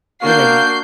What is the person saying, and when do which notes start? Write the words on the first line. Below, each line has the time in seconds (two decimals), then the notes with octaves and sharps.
when they
0.22 A#3 D4 F#4 F5 G6 C7